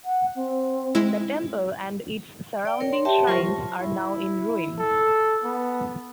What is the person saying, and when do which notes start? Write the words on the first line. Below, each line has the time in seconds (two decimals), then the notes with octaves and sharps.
The temple and its surrounding shrines are now in ruins.
0.05 F#5
0.36 C4
0.95 G#3 E4
2.65 D5 G5
2.80 A#4 C#5
2.93 C6
3.05 G4 E5 G5 A5
3.27 F#3 F4 A#4 C5 C6 C#6
3.81 E4
4.78 A4
5.44 B3